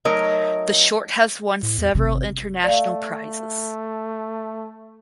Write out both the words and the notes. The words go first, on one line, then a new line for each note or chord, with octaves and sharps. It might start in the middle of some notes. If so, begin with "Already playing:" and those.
The short has won several international prizes.
F#3 A3 D#4 A#4 C#5 D#5
A2
E2
G#1 C3
A3 D5 F5